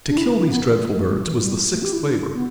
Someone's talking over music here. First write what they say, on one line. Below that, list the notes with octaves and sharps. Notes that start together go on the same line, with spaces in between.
To kill these dreadful birds was the sixth labor.
D4
E4
D4
B3
A3
A3
G3
E3
G3
A3
G4
E4
D4
B3